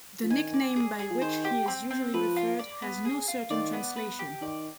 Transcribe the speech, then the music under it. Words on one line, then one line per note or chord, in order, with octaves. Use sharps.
The nickname by which he is usually referred has no certain translation.
F3
D#3 G#5
D5
G#4
G#4
F3
D#3 C5
G4
C4
C4
F3 B4
F4
D5
B3
G#4
F4
D#3 D5
B3
B4
G4
D#3 D5